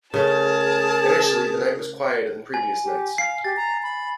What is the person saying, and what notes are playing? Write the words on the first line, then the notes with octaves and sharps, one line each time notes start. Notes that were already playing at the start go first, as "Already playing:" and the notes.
Initially, the night was quieter than previous nights.
C#3 A3 G#4 A#4 A5
G#5
G4
F5 C7
G4 A6
A#5
B5